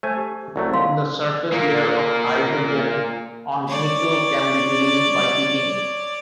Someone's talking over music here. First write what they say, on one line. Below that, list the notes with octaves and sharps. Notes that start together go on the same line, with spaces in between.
The surface layer of hydrogen on nickel can be released by heating.
A3 B4 C5 G#5
G4
C2 F#3 A3
D#2 F5 A#5 C6
A#2 A#3
C#5 D5